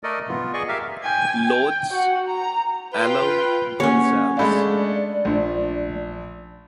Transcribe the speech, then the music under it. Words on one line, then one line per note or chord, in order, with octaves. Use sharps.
Lourdes "Alou" Gonzales.
A3 A4 A#4 D5 D#5
B3 F4
G#4 D5 D#5 C#6
G4 A#4 E5 F5
G5 G#5
G5
F#4 F#5
A#5
F4 B4 G5
A#3 C#4 C#5 F#5
G#3 A3 D4 D5 F5 B5
A#1 A3 D4